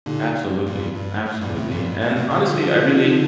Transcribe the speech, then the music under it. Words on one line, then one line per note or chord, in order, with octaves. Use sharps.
Absolutely, absolutely, and honestly, I really
A#2 D3 D#4 G4
G2 A#2
G2
A2
G2 A#2
A2 C3
G2 A#2
G2
A2
A2 C3
A#2 D3
D3 F3 D4 F4
D4 F4
D#4
F4
C4 D#4